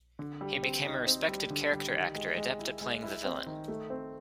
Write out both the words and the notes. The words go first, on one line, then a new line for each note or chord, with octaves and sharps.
He became a respected character actor, adept at playing the villain.
D3
G3
C4
D#4
C4
G3
D3
G3
D#3
G#3
G#3
E4
G#3
E4
C4
D#3
A3
C4